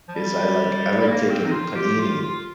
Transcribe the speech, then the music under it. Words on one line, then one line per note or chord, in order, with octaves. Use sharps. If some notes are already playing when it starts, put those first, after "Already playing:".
is I like I like taking panini,
F3
G3
G3
A#3
C4
D#4
F4
G4
F4
F4